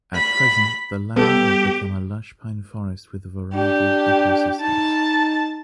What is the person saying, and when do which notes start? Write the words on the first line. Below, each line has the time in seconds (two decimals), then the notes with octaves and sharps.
At present, the land has become a lush pine forest with a variety of ecosystems.
0.15 B5
1.16 G3 B3 G4 A4
3.55 D4 G4
4.61 D#4 A5